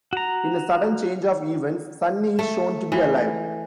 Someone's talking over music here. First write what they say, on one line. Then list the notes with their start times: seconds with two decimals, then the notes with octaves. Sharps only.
In a sudden change of events, Sunny is shown to be alive.
0.13 F#4 A#5
2.39 A3
2.92 E3